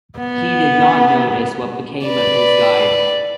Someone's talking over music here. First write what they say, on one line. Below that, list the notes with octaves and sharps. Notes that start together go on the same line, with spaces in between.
He did not notice what became of his guide.
B3
B4 D5